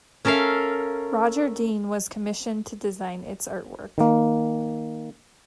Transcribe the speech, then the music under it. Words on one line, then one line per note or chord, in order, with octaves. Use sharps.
Roger Dean was commissioned to design its artwork.
C#4 A4 A#4 E5 F5
D#3 A#3